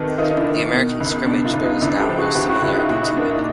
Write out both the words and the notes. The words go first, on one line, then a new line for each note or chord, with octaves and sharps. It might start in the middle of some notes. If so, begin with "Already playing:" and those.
The American scrimmage bears now no similarity to it.
Already playing: C3 D#3 A4 B4
D#3 D#4 F4
D#4
D4 E4
D#3
D#4
B2
C#2
B2 D4
D#4 F4
C#2
D#4 F4
C#2 D4 E4
G4 A4
F3
F#4 G#4
C#2 F4 G4
E4 F#4
C#2 E4 F#4
D#4 F4
A#2 E4 F#4
D#4
A#3 D4
D#4